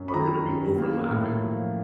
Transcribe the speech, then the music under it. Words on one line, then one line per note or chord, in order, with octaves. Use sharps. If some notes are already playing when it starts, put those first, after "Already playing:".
are going to be overlapping.
Already playing: F#2 F#3
B5
D#3 A#5
F#2
A#3
A2
F3